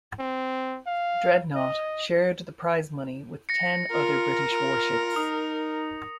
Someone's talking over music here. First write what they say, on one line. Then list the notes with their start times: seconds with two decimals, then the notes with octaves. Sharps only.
"Dreadnought" shared the prize money with ten other British warships.
0.19 C4
0.87 F5
1.55 D#5
3.49 A#6 C#7
3.91 F4 A#4
4.51 F4
5.16 D#4 D#6